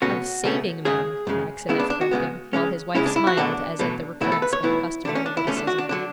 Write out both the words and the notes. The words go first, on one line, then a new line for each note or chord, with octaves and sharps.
'Of saving men,' Maxineff corrected, while his wife smiled as at the recurrence of a customary witticism.
C#2 B2 A3 C#4 F#4
C#2 B2 A3 C#4
F#2 C#3 G#3 G#4
F#2 C#3 G#3
C#2 C#3 G#3 B3 E4
D4
D4
F#4
C#2 C#3 G#3 B3
C#2 C#3 G#3 C#4
C#2 C#3 G#3 C#4 E4
D4
E4
F#4
E2 B2 F#3 A3 D4
E2 B2 F#3 A3
B1 A2 E3 B3 E4
A4
B4
C#5
B1 A2 E3 B3 E4
D2 D3 A3 D4
C#4
D4
E4
D2 D3 A3 C#4
D4
F#4
D4
D3 F#3 D4